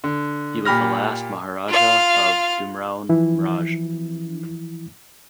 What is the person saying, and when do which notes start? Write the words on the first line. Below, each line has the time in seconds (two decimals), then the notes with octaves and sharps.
He was the last Maharaja of Dumraon Raj.
0.04 D3
0.65 A#2 G4 B5 F6 A#6
1.69 F4 F5
3.09 E3 F3 E4